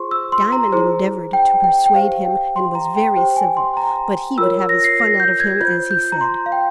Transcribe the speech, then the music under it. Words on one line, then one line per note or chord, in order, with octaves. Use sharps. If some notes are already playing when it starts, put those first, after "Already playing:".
Diamond endeavoured to persuade him, and was very civil, but he would have his fun out of him, as he said.
Already playing: F4 G#4 C5 C6 C#6
E6
C6
A#5
E4 G#4 C5
G5
G5
G5
G4 C5 F5
G5
C6
A#5
G5
G4 C5 G5
G#5
C6
A#5
F4 A#4 C#5 E6
A#6
C7
A#6
G6
G#6
F4 C5 G6
G6
A#5
C6
F5
G5